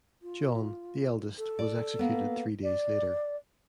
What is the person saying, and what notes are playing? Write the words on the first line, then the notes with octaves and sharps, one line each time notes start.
John, the eldest, was executed three days later.
F4
A4
D5
A#3 B3
D5